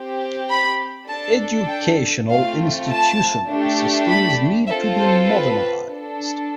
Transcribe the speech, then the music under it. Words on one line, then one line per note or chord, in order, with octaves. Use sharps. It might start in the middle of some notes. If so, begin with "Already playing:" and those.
Educational Institutional systems need to be modernized.
Already playing: C4 G4
B5
D4 A4 A5
G5
A3 C4 F4 F5
A5
A3 D4 G4
B5
C4 F4 A4 E5
C5
B4
D4 A4